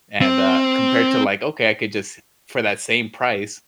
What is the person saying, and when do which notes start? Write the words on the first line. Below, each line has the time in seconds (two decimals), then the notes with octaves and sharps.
And, uh, compared to, like, "Okay, I could just for that same price"
0.21 C4